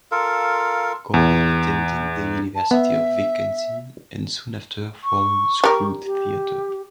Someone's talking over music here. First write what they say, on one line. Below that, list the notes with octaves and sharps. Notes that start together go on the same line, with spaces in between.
Gordon attended the University of Wisconsin and soon after formed Screw Theater.
F4 A4 A#4 F5
E2
A5
B3 E5
C#6
G3 A#4
G4